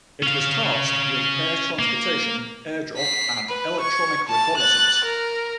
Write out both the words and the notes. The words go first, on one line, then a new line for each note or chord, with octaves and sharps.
It was tasked with air transportation, airdrop and electronic reconnaissance.
C#4 F5
A#3
B6 C7
B4
C#6 G#6
A5 A6
F#6 A6
A#4